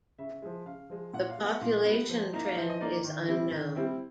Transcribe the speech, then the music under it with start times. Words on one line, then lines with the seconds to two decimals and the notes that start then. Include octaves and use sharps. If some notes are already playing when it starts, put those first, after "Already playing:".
The population trend is unknown.
0.18 C#3 E5
0.42 F3 G#3
0.66 C#3 F5
0.90 F3 G#3
1.13 A#2 F#5
1.30 F5
1.37 G3 B3
1.46 F#5
1.61 A#2 F5
1.85 G3 B3
2.09 F3
2.33 A#3 D#4
2.45 F5
2.56 F3 E5
2.70 D#5
2.81 A#3 D#4 D5
3.04 D#3
3.28 G3 C4 E4
3.51 D#3
3.75 G3 C4 E4